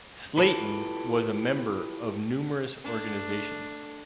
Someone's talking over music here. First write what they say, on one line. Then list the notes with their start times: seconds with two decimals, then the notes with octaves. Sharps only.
Slayton was a member of numerous organizations.
0.37 E4 F4 G4 A4 B4
2.84 A3 D4